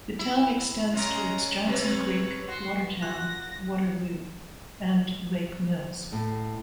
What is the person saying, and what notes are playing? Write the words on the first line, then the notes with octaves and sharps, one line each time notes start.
The town extends towards Johnson Creek, Watertown, Waterloo, and Lake Mills.
E4
C#3 G#3 C#4 A#5
C3 B4 C#5
F#4 C6
F4 F#4 F#6 A#6
A2